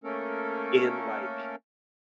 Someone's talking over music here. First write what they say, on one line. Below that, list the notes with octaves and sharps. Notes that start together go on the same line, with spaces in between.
in, like
A3 A#3 C#4 A4 A#4